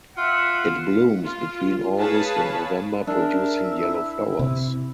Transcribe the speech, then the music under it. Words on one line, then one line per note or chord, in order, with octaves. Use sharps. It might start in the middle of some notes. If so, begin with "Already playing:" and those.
It blooms between August and November producing yellow flowers.
F4 E5 F#5
F4
G#4 B4 C#5 F5 A5
D4 G#4 A#4 E5
E4
C3